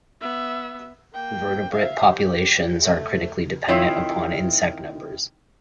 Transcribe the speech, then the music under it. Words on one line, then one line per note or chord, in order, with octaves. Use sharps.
Vertebrate populations are critically dependent upon insect numbers.
B3 E5
A#3 G5
E5 F5
G4
A3
D#3 C4 E4 F4 C#5 E5